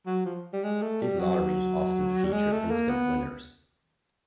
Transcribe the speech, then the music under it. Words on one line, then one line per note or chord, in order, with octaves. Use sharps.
These lotteries often featured instant winners.
F#3
F3
G3
G#3
A3
G3
F#3
G3
G#3
A3
A#3
B3